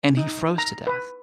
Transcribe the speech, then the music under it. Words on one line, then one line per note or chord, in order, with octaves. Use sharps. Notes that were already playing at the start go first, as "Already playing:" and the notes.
and he froze to death.
D#4
A#5
B4